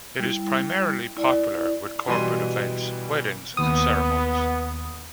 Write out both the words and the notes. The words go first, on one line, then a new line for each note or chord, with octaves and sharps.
It is primarily popular with corporate events, weddings and ceremonies.
G3 E4
E4 D5
B2 E3 G3 C6 D#7
D#2 B3 D#6